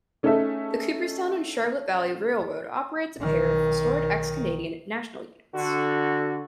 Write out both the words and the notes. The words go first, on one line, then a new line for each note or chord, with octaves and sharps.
The Cooperstown and Charlotte Valley Railroad operates a pair of restored ex-Canadian National units.
A3 C#4 D#4 G#4 A4 E5
B1 D#3
D3 F#4